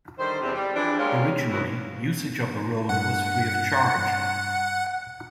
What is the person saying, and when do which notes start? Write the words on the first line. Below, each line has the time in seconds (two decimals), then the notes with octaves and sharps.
Originally usage of the road was free of charge.
0.19 D3 D#3 G3 C5
0.41 E2 C3
0.54 G3
0.75 C#3 E3 F3 C4 D4
0.99 G3 G#3 A#3 C#4 E4 F4
1.51 F3 A#3 B3 C#4 E4 F#4
2.89 G2 F#5